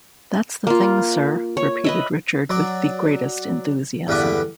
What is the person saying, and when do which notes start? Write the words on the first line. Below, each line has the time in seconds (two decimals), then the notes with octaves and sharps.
"That's the thing, sir," repeated Richard with the greatest enthusiasm.
0.67 A#3 F4
1.57 C#5
1.84 B4 D#5 E5
2.50 F#3 D5
4.08 E2 G2 D3 B4 D6